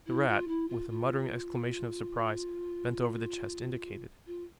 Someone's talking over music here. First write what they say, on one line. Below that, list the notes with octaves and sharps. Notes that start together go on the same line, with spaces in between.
The Rat, with a muttered exclamation of surprize, bent over the chest indicated.
E4
F4
E4
F4
F4
F4